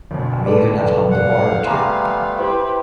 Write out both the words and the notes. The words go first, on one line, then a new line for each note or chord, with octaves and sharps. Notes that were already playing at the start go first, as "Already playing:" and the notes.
I may even have hummed a bar or two.
D2 B2
A4 B4 D5
F5 F#5
G3 A3 B3 G#5 A#5 C6 D6
E4 G4 B4 C5